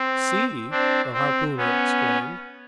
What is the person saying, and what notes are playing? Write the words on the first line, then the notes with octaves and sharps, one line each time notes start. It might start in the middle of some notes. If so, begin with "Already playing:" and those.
"See!" the harpooner exclaimed.
Already playing: C4
C4 D4
C4
B3 C#4